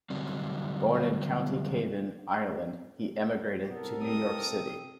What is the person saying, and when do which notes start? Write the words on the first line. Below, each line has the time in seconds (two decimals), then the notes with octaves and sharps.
Born in County Cavan, Ireland, he emigrated to New York City.
0.10 D3 F#3 G3 C4
3.70 C2 B3 A4 A#4
4.03 C4 D#6